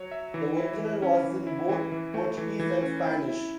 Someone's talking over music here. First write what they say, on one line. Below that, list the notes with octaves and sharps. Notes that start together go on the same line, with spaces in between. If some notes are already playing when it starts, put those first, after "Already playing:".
The original was in both Portuguese and Spanish.
Already playing: F#3 C#5
E5
E3
E4
E3
C#4
E3
E4
E3
E3
A3
E3
E3
C#4
E4
E4